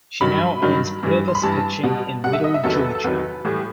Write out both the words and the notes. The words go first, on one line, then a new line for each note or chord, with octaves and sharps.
She now owns Purvis Pitching in Middle Georgia.
G2 D#3 F#3 B5
G2 D#3 F#3
G2 E3 G3
C6
B5
G2 E3 G3 A5
B2 G3
B2 G3 F#5
E5
D#5
E5
E2 C3 D#3 F#3 A4
B4
A4
A4
E2 C3 D#3 F#3 B4
A2 E3 G3